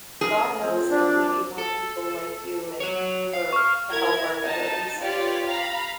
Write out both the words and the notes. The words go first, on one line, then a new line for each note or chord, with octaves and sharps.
God knows that we need more people like you, and for to help our veterans.
C#3 G#4 A#4
F3 C4
D4
E5 D6
A4
F#4 C#5
F5
C#6 F6
E4 A#4 G#6
D#4 A5
F4 G4 B4 C#5 D5
F5 A#5 B5